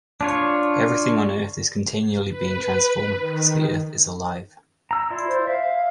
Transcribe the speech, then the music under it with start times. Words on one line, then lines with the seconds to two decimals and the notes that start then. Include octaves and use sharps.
Everything on earth is continually being transformed because the earth is alive.
0.21 D4 F4 C#5
2.27 B4
3.17 D#3
4.91 A#5 E6
5.10 E4 F4 D5 C6
5.27 C5
5.47 E5 F5